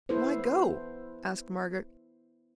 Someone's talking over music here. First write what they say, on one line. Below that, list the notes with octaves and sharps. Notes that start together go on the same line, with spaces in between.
"Why go?" asked Margaret.
B3 E4 A4 B4 C5